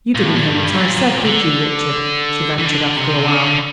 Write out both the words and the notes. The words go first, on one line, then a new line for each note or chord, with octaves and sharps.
"You didn't hear what I said, did you, Richard?" she ventured after a while.
A#2
A2
A#2
G2
A#2
D3
E3
D3
C3
D3